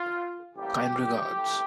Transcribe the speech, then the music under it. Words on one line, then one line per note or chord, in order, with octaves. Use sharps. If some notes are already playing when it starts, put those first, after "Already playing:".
Kind regards.
Already playing: F4
A1 A2 G3 A#3 G4
A2